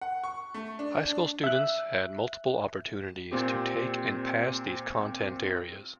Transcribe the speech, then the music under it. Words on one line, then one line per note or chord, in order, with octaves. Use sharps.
High school students had multiple opportunities to take and pass these content areas.
F#5
C#6
A3
D4
D4
E5 F#6
A#2 C4 G4